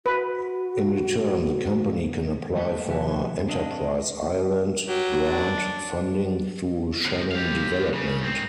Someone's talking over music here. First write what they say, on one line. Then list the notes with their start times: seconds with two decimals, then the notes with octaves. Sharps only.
In return the company can apply for Enterprise Ireland grant funding through Shannon Development.
0.06 F#4 B4
2.56 G3 A3 A#3 A4 B4 D#5
2.87 C3 F3 F#4 G4 E5 G#5
3.47 C4 D4 D#5 F5
4.87 F#3 G4
5.25 D4
7.05 C#2 F3
7.32 G4 F5
7.94 C#3
8.21 G#2 C4